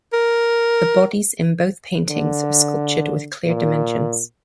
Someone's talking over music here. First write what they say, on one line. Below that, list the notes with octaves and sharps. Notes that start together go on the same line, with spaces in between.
The bodies in both paintings are sculptured with clear dimensions.
A#4
D3
A#2